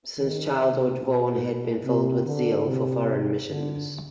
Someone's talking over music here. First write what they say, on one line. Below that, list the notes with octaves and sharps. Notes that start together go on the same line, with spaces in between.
Since childhood, Vaughan had been filled with zeal for foreign missions.
D#3
C3
B2
C3
D3
C3
D3